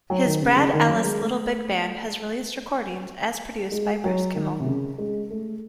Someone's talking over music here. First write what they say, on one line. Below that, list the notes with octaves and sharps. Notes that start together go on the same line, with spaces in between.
His Brad Ellis Little Big Band has released recordings, as produced by Bruce Kimmel.
F#3
D#3
C#3
C#3
D#3
F#3
G#3
A3
G#3
F#3
D#3
C3
C#3
G#3
A3